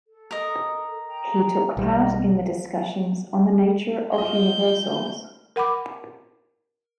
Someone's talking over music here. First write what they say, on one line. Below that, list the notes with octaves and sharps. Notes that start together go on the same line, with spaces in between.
He took part in the discussions on the nature of Universals.
A4
A#4 D#5
G5 A#5
B1 G3 D5 D#5
F4 D#5 G6
A#4 F#5 B5 D6